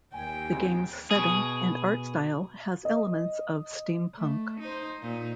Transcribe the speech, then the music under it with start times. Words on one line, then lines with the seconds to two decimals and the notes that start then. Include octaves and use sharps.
The game's setting and art style has elements of steampunk.
0.14 D#2 G5 G#5
0.52 A#1 F2
1.11 B2 G#4
2.85 D#5
4.16 A3
4.60 D#4 C5
5.01 A#2 D#4